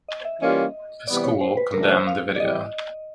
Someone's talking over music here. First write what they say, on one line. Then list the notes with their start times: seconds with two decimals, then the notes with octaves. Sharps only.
The school condemned the video.
0.08 D#5
0.25 E5
0.41 E3 G3 A#3 C#4 F4 D#5
1.07 C3 E3 G3 B3 D5
1.24 C#5
1.41 C5
1.57 B4
1.74 C#3 E3 A3 D4 F#4 A#4
1.90 C5
2.07 F5
2.36 D5
2.40 E3 G3 C4 E4 G4 D#5